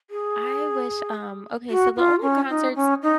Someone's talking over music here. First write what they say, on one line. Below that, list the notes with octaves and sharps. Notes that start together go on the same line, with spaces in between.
I wish, um okay, so the only concerts
G#4
F#4
F4
C#4
D#4
C#4
D#4